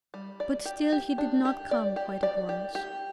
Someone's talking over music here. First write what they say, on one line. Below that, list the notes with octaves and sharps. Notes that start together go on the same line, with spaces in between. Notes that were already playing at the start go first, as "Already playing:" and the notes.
But still he did not come quite at once.
G3
D5
G4
G4
D4
G4
D5
G4
D5
G4
G4